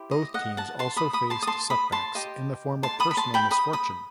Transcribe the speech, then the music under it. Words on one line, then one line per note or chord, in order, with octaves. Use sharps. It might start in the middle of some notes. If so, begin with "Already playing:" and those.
Both teams also faced set backs in the form of personal misfortune.
Already playing: E4 G4 C5
D#5
D#5 F#5
F#5 A5
A5 C6
B5 D#6
B5 D#6
A5 C6
D#6
A5 C6
B5 D#6
A5 C6
G4 D#5
A5 C6
B5 D#6
B5
A5 C6
G5 B5
B5 D#6
B5 D#6